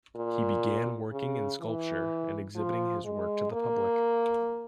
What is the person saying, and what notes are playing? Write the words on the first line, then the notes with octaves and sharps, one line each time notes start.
He began working in sculpture, and exhibiting his work to the public.
A#2
C#3
E3
F3
G#3
A#3